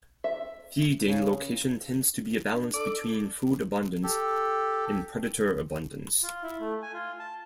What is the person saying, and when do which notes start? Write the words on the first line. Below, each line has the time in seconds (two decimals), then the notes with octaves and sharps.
Feeding location tends to be a balance between food abundance and predator abundance.
0.24 E5
1.06 C#3
2.52 D4
2.74 A4 D5 D6
4.04 G4 A4
6.23 F4
6.43 E4
6.60 A3
6.82 G#5
6.94 F4
7.19 A5